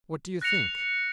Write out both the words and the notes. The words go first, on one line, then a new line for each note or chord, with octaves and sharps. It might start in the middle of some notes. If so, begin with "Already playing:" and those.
What do you think?
F#6 A#6 C#7 F7